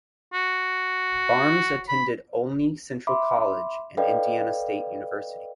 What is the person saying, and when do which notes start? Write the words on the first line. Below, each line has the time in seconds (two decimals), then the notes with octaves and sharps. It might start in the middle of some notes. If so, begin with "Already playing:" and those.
Barmes attended Olney Central College and Indiana State University.
0.33 F#4
1.89 B5
3.07 E5 B5 C6 D6
3.97 A4 B4 D5 D#5 F5 G5